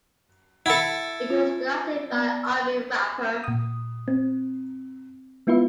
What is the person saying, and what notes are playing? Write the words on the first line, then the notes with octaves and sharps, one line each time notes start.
It was directed by Irving Rapper.
E4 A4 F#5 B5 E6
F4
B3 D5
A#2 D#6
C4
G#3 B3 E4 F4 B4 E5